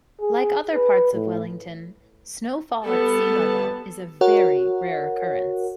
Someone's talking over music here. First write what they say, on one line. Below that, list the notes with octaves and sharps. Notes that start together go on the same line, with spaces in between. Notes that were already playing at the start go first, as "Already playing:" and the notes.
Like other parts of Wellington, snowfall at sea level is a very rare occurrence.
G#4
B4
A2
G3 B3 A4 A5
F#4 A#4 C#5 F#5